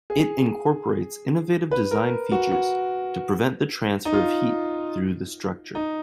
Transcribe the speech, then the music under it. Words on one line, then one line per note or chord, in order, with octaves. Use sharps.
It incorporates innovative design features to prevent the transfer of heat through the structure.
G#4
B4
A#4
F#4
F#4
D#4
F4
D#4